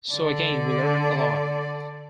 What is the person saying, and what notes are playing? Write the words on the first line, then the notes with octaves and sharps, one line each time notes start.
So again, we learned a lot.
D3 D5